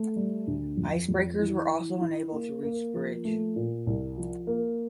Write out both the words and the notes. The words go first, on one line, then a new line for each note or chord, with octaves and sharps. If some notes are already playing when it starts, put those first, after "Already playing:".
Icebreakers were also unable to reach the bridge.
Already playing: A3
G3
D2
F2
F2
E3
E3
E4
A#3
A#3
F3
A3
A#2
C2
F3
A#3